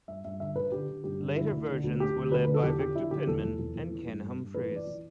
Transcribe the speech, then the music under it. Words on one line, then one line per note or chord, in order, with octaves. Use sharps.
Later versions were led by Victor Penman and Ken Humphries.
G2 E5
G2 E5
D3 E5
D3 B4
D3 G4
D3
G2 G4
D3
D3 E4
D2
D3
D2
D3 G4
D2
D2 B4
D3 B4
A4
E2 G4
D3 G4
D3 E4
D3 G4
E2 A4
E2
E2
E2
E3
G2
G2
G2
E3 B4
E3 D5
E3